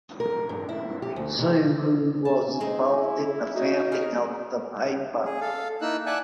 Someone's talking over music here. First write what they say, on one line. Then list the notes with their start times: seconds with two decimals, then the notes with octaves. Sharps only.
Xu Wu was involved in the founding of the paper.
0.20 A#4
0.49 G2
0.69 E4
1.02 G4
1.16 D2
1.39 C3
2.25 G#5 A5
2.60 G#3 C4 D#4
2.94 E4
3.55 D#4 F#4
3.92 G#4 A#4 B4
5.25 G#4
5.41 A4 F5
5.82 A#3 D#4 E4 E6 F#6
6.06 D5 E5 F#5 G#5 A5 F#6